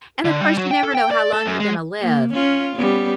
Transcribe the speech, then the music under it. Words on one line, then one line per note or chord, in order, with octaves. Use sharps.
And, of course, you never know how long you're gonna live,
D3
G3
F#3
G5
A4
G5
D5
A4
F#2
G#3
A#3
C#4 F4
G3 B3 C#4